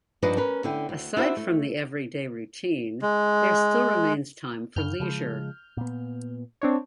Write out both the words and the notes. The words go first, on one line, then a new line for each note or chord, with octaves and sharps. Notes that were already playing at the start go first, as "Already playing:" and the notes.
Aside from the everyday routine, there still remains time for leisure.
G2 F3 D4 D#4 B4 D#5
C#4 A#4 B4
D3 C#4 E4 G5
D2
D4 E4 F#4 C5 E5
A3
G#3
F#2 C#3 F6 G6
C#3 F3 G#3
A#2 B3
C4 D4 C#5